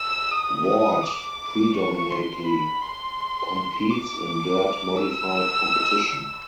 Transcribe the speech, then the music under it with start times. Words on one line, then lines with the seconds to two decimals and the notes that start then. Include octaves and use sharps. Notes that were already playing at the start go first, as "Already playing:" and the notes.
Ward predominately competes in dirt modified competition.
Already playing: E6
0.31 D#6
0.67 D#6
1.03 D6
1.75 C#6
2.10 C6
2.46 B5
2.81 C6
3.90 D6
4.97 E6